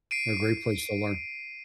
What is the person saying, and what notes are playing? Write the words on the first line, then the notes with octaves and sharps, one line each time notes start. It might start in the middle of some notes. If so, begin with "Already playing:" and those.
they're a great place to learn.
C7 D7 D#7